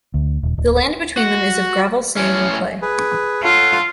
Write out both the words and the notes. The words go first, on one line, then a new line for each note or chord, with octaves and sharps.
The land between them is of gravel, sand and clay.
D2
D#1
D1
F#4
A2 C#4
G#4 B4
F4 A4 C#5 F#5